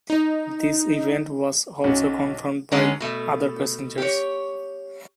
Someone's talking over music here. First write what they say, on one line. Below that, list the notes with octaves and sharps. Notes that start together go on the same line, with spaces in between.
This event was also confirmed by other passengers.
D#4
B1 C#4 F#4
D3 F#3 G#3 B3 C#4
B2 A3
G4 C#5